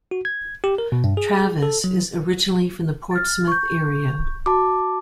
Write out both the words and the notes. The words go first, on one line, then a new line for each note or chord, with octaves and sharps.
Traviss is originally from the Portsmouth area.
F#4
G#6
G4
A#4
B2
G2
G#4
A4
F#3
F6 A6
C#6 G6
F#4 A5 D6